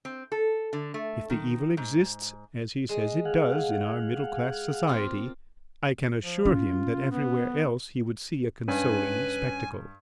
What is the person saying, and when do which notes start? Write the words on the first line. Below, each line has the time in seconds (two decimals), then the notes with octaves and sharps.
If the evil exists, as he says it does, in our middle-class society, I can assure him that everywhere else he would see a consoling spectacle.
0.05 C4
0.32 A4
0.73 D3
0.94 A3
1.30 D#3
1.77 G#2
2.89 G#3
3.25 G#4 F5 F#5
4.87 A#3 C4 F4
6.23 F3
6.45 C#4 F4
7.11 B3
8.68 G2 C#4 B4 G#5